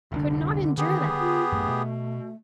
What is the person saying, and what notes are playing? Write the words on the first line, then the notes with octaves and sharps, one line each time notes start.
I could not endure that.
F1 C2 D3 D4
D3 D#3 B3 G4 G#4
F4
A1 F#2 A3
B2